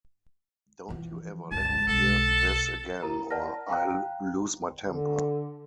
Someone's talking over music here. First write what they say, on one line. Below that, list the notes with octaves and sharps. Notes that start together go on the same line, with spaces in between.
Don't you ever let me hear this again, or I'll lose my temper.
E3 F3
G1 C#2 A5
B1 G#3 A4
E4 A#4 A#5
D5 F#5 A5 F6 A#6
F5 G5 A#5 F#6
D3